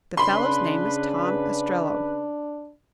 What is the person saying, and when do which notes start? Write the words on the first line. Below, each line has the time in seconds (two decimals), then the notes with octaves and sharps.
"The fellow's name is Tom Ostrello."
0.17 C#3 D4 B4 B5 C6